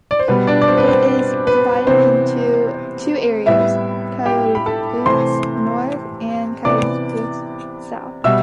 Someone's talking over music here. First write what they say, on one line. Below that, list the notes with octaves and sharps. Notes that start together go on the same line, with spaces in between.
It is divided into two areas: Coyote Buttes North and Coyote Buttes South.
D5
C5
B2 G3 B3 B4
D4 D5
D5
C4 C5
B4
C4 C5
B4
C3 E3 B3 C4 C5
A2 G3 B3 E4 E5
G4 G5
B5
A4 A5
C3 E3 A3 C5 C6
C3 E3 B3 D5 D6
B2 G3 E5 E6